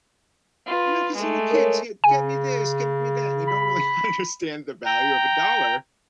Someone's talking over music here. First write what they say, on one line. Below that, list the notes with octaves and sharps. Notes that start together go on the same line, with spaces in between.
you know, 'cause little kids, yeah, get me this get me that, and they don't really understand the value of a dollar,
F4 B4
G#3 A3
A#4 C#5
C#3 G#5
B5
G5 A#5